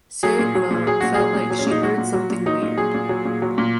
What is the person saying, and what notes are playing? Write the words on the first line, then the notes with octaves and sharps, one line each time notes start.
Tseregmaa felt like she heard something weird.
F#3 G#4
A#2
F#3
A#2
F#3 G#4
A#2 F#4
F#3 G#4
A#2
F#3
C#4
A#2 D#4
F#3 F#4
A#2
F#3
A#2
F#3 D#4
A#2
F#3 G#4
A#2
F#3
A#2
F#3
A#2